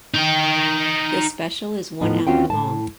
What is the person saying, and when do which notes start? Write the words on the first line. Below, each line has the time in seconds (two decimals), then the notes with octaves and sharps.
The special is one hour long.
0.14 D#4 G5
2.01 D#2 A2 F3 B3 D#4
2.27 D#2 C4 C#4 F4 F#4 G5
2.50 A2 A5